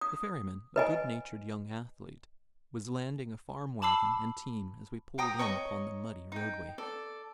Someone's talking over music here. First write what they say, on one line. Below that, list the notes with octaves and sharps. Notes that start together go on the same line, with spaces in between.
The ferryman, a good-natured young athlete, was landing a farm-wagon and team as we pulled in upon the muddy roadway.
D#6
B4 D#5 G#5
A5 B5 D6 E6 C7
G4 G5 A#5 D#6
C#5 D#5 A#5 C#6
D#4 G5
A4 D5